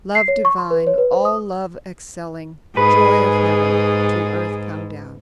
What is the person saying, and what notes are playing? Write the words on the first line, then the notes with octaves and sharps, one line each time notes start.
"Love divine, all love excelling; Joy of heaven, to earth come down."
C7
C#5
C#6
C6
B4
C#5
B4
C5
D#6
G#2 G#4 B4